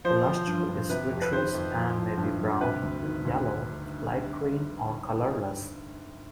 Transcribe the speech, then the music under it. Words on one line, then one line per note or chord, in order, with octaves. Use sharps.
The luster is vitreous and may be brown, yellow, light green or colorless.
F3 C5
F3
G2
G2
C3 B4
F2
B4
D#3 C5
F2
F3
F3
G2
G2
C3 B4
D2
D#3
D2